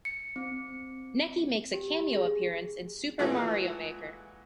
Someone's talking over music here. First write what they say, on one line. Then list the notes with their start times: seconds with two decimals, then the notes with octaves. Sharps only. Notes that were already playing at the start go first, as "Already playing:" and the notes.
Necky makes a cameo appearance in "Super Mario Maker".
0.05 C#7
0.36 C4
1.73 G4
2.13 G#4
3.19 A#2 E3 G#3 A3 F#4